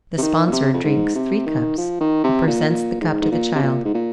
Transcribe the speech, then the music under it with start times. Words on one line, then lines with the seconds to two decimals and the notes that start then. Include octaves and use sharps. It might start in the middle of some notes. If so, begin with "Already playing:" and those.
The sponsor drinks three cups, and presents the cup to the child.
0.18 C3
0.22 D#3
0.47 A#2
0.52 C3
0.74 F2
0.84 G#2
1.15 C3
1.46 D#3
1.77 F3
2.00 D#3
2.24 C3
2.47 A#2
2.70 A#2
3.01 G#2
3.22 G#2
3.32 A#2
3.55 C3
3.63 A#2
3.85 G#2
3.94 A#2